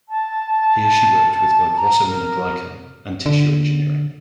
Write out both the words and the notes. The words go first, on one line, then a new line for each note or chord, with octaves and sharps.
Here she worked with glycosaminoglycan and tissue engineering.
A5
A#5
A#4
D3